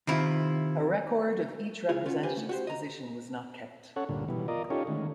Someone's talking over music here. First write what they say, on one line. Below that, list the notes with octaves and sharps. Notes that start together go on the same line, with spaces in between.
A record of each representative's position was not kept.
C3 D#3 E4 F4
C#2 E4 F4 G#4
C#4 F4 F#4
D4 F4 G4 B4 C5 G#5
A3
F#4 G4 C5
D#5 A#5
C#4 A4 C#5 F#5
D2 G2 A#2 D3
B2 E3 G3
F4 A#4 D5 D#5
C#4 D#4 F4 G4 A4 C#5
D3 D#3 G#3 A3 C#4